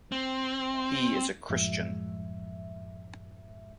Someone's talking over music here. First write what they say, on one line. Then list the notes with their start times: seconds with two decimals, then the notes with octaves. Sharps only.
He is a Christian.
0.12 C4
1.49 F#2 A2 F3 G#3 E5